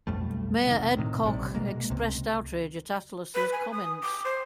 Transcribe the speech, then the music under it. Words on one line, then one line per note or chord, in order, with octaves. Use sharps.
Mayor Ed Koch expressed outrage at Atlas's comments.
B1 F2 G3 A3
C3 D#3
A2 C3 D#3
A#1 C3 G3
B2 G#3 A#3
C#2 C3
B4
G#5
D#6
D6
C5